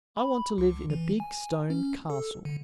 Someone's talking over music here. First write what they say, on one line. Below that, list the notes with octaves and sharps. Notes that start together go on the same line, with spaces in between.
I want to live in a big stone castle.
B5
C#2
E3
G#5
C#4
A4
D3